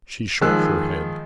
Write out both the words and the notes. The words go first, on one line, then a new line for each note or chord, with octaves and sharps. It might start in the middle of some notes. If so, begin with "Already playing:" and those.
She shook her head.
D#3 F3 G#3 G#4 E6 F#6